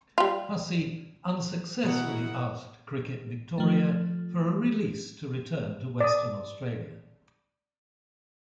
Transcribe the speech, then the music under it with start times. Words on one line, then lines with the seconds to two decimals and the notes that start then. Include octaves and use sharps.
Hussey unsuccessfully asked Cricket Victoria for a release to return to Western Australia.
0.18 G3 F4
1.83 B2 E4 A#4 F#5
3.58 F3 A3
6.00 D5 D#6